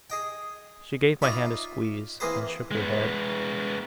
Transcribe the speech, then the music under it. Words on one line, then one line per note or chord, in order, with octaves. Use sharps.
She gave my hand a squeeze, and shook her head.
G#4 D#5 G5
D#4 F4 C#5 D5 E5 B5
E3 A#3 C4 G#4 B4 C5
G#3 B3